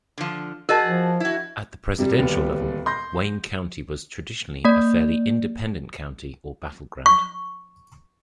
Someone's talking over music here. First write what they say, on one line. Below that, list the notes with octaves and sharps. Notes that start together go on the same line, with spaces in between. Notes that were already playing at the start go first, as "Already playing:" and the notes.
At the presidential level, Wayne County was traditionally a fairly independent county or battleground.
D3 F3
F#4 G#4 A#4 D#5 A5
F3
E4 F#4
C3 G3
D1 D#2 G3 B3
C6 G6 A#6
A#3 D5
C#6